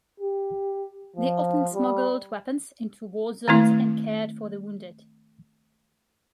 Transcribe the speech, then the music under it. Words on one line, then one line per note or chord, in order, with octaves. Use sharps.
They often smuggled weapons into war zones and cared for the wounded.
G4
F3
G3
D#3 A3 C4 E4